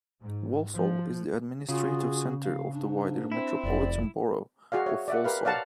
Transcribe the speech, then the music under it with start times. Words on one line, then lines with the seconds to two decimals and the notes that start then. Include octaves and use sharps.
Walsall is the administrative centre of the wider Metropolitan Borough of Walsall.
0.22 G#2
0.73 F3
1.69 C#3 F4 F#4 G#4
2.43 F5
2.73 G#2 D4
3.32 C4 E4
3.64 F1 D5
4.72 F#4 G#4 D5 F5
4.86 C#5 E5
5.08 D5 E5 F#5
5.24 G4 A#4 B4 F5
5.44 C#5 D5 F5 F#5 A5 A#5